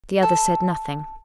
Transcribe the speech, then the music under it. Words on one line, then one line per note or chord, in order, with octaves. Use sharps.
The other said nothing.
A4